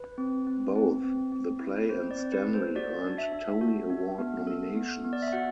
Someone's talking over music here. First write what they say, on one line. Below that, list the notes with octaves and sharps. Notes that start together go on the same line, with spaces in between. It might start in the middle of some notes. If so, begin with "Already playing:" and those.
Both the play and Stanley earned Tony Award nominations.
Already playing: B4
C4
C4
C4
C4
C4
E4
C4 C5
D5
C4
B4
A4
C5
F#4 D5
D4
E5
D4
F#4
D4
B3
A4
B3
B3
D5
E5
F#4 F#5